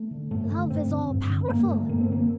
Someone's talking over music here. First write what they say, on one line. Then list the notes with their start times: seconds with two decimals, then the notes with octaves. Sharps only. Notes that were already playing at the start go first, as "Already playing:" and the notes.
Love is all-powerful.
Already playing: A3
0.11 D3
0.31 G2 A3
0.51 D3
0.70 G2 C4
0.90 D3
1.10 G2
1.29 D3
1.50 G2 A#3
1.70 D3 A3
1.89 G2 A#3
2.01 C4
2.09 D3 A#3